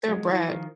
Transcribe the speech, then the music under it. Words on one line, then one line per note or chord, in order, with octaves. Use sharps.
They're a brat.
F#3 G#3
E3 F#3
D#3 F3